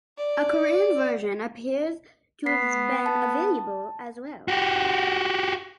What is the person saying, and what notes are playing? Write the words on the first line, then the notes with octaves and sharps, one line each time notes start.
A Korean version appears to have been available as well.
D5
B3 B6 C7
A5
F#4 G4